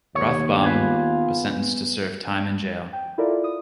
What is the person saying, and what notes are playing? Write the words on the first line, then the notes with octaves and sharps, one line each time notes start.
Rothbaum was sentenced to serve time in jail.
D#2 C#5
B3 F4 G#4 B4
G5
E4 F4 A4 A#4 D5
D#6